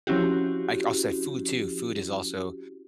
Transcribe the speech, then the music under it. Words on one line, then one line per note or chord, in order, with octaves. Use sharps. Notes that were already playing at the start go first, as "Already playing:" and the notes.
I c I also have food too. Food is also,
F3 C4 C#4 E4 F#4 G4